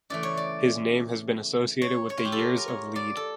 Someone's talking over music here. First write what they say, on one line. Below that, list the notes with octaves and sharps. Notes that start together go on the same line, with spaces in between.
His name has been associated with the Years of Lead.
C#3 E3 A3 D5
C#5
D5
C#5
C#5
F4
G4
A4
A#4
A#4
C#5
D5
A4